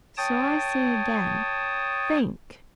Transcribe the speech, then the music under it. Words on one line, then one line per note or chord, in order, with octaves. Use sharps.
So I say again, think.
C#5 G5 A5 D#6